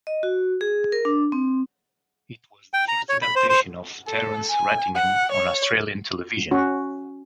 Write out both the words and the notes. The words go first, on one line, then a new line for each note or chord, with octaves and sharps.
It was the first adaptation of Terence Rattigan on Australian television.
D#5
F#4
G#4
A#4
D4
C4
G5
A#5
C#5
B5
C5
C5
A4
G#5
F#5
C#5
C#4 F#4